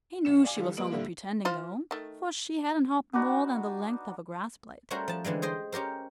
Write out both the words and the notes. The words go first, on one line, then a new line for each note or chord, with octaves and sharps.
He knew she was only pretending, though, for she hadn't hopped more than the length of a grass-blade.
B1 C#7 E7
D5 F5 G#5 D6
D3 E3 G3 F4
G3 A#3 B4 D#5 D7 F#7
A#2 D3 G3 A#3 E4 F4
F3 F4 C5
D#3 A3
B3 D4 D#4 F#4
G3 A3 C#4 F#4 A#4 C5
F3 A5
D3 E3 G3 G#3
G#4 C5 D#5 G5
C#4 G4 A#4 C5